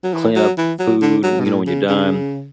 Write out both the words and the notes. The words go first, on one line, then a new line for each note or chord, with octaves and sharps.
clean up f food, you know, when you're done,
F#3
E3
F#3
E3
F#3
D3
F#3
B2
A2
C#3
C#3